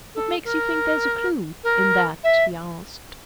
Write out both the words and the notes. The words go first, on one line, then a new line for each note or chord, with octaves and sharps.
"What makes you think there's a clue--in that?" he asked.
A4
A#4
A#4
E5